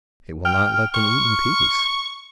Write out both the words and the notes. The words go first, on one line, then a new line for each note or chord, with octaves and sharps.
It will not let them eat in peace.
G5 F6
C#6